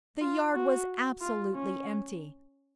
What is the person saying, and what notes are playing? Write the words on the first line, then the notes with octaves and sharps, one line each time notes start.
The yard was absolutely empty.
F4
F#4
F4
C#4